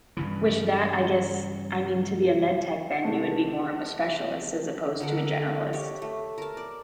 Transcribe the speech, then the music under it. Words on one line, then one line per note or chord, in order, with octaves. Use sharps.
Wish that I guess, I mean to be a med tech, then you would be more of a specialist as opposed to a generalist.
G2 C#3 E3
C3 G#3 A3 D4
D3 A#4 F#5
G4 C#5
A3
A#4 A5
D5